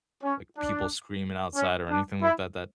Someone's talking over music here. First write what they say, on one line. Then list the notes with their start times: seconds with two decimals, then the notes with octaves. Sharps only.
like, people screaming outside or anything like that that
0.24 C#4
0.57 D4
1.56 C#4
1.89 D4
2.22 E4